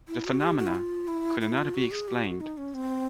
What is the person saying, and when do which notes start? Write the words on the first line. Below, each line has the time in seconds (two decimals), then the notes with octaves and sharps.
The phenomena could not be explained.
0.08 E4
0.25 F#4
0.41 G4
0.58 F#4
0.67 E4
0.75 F4
1.08 E4
1.41 E4
1.58 F4
1.74 F#4
1.91 G#4
2.08 G4
2.24 F#4
2.40 D#4
2.58 C#4
2.74 C4